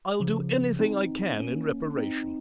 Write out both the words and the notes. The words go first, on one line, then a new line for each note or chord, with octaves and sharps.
I'll do anything I can in reparation.'
C#3 F3
C4 D#4
A#3 C#4
C4 D#4